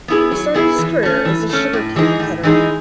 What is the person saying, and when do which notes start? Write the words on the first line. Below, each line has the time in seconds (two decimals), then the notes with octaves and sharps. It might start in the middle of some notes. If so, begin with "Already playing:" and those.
He started his career as a sugar cane cutter.
0.08 B3 E4 G#4
0.32 F#3
0.54 B3 E4 G#4
0.78 E3
1.03 A3 C#4
1.25 E3
1.50 A3 C#4
1.73 A2
1.96 E3 G#3 D#4 G#4
2.19 A2
2.43 E3 G#3 D#4 G#4